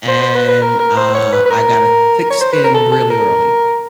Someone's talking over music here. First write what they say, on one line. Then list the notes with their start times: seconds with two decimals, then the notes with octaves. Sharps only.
and, ah, I got a thick skin really early,
0.08 C5
0.22 C5
0.35 B4
0.48 B4
0.62 A#4
0.80 A#4
0.97 C5
1.15 C#5
1.32 B4
1.46 B4
1.50 A#4
2.30 C#5
2.41 C5
2.52 B4
2.64 A#4
2.74 A4
2.92 A4
3.10 A#4